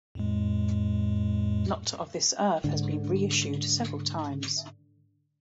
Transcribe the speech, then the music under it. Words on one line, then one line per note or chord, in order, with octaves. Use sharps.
"Not of This Earth" has been reissued several times.
F2 A2 G#3
G#2 D3